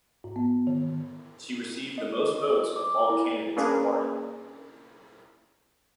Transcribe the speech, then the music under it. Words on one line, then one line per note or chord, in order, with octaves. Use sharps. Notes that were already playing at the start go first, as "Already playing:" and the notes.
She received the most votes of all candidates in the party.
G#2
B3
D#3
D#5
D6
E4
A#3 C#4 D4 G#4 A#4 B4